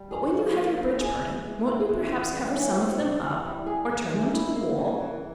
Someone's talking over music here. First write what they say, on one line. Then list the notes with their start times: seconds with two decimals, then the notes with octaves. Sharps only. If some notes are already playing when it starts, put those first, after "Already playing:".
But when you have your bridge-party, won't you perhaps cover some of them up, or turn them to the wall?
Already playing: G3
0.11 G#4
0.33 F3
0.55 A#3
0.78 E4
1.00 G#4
1.22 E3
1.44 G#3
1.66 E4
1.89 E3
2.11 E3
2.33 G3
2.56 C#4
2.77 C4
2.99 C3
3.22 E3
3.45 G3
3.66 G#4
3.89 E3
4.11 G#3
4.34 E4
4.56 A#3
4.78 C#3
5.00 E3